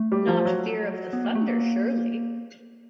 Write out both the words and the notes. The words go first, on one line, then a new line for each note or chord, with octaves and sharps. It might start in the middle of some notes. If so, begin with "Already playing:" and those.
Not fear of the thunder, surely?
Already playing: A3
G3
F3
F#3
B3
A#3
A3
A#3